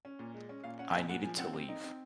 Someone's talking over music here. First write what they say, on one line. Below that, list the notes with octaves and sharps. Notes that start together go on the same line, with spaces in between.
I needed to leave.
C#4
A#2
G#3
C#4
A#2 F5
C#4 F#5
A#2 G#5
A#2 F#5
F3 G#5
C4 F#5
C4
D#4
C4